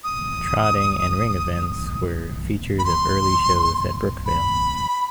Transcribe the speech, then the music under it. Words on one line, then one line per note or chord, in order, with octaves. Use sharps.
Trotting and ring events were features of early shows at Brookvale.
D#6
B5
C6
B5